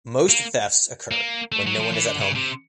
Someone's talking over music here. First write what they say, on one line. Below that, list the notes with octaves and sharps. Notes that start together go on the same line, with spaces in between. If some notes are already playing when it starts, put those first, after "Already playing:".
Most thefts occur when no one is at home.
A#3
A#3
A3
F#3
F3
E3
D3
C#3
C3